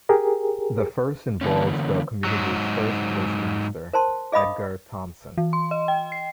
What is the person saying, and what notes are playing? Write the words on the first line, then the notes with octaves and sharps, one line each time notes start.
The first involves the community's first postmaster, Edgar Thomson.
G4 G#4 A#4
D3 E3 A#3 C#4
G#2 F#3
A#4 C5 A5 C6
G#4 D#5 F5 B5 D#6
E3
C6
D#5
G5
C7